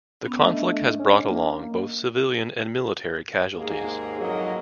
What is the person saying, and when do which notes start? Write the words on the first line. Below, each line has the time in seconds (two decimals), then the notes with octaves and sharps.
The conflict has brought along both civilian and military casualties.
0.24 B3 C#4
0.41 A3 D4 D#5
0.99 C#4
1.30 A#3
3.56 D#2 G#2 A#3 G#4
4.20 F2 G#2 F#3 A#3 A#4 D#5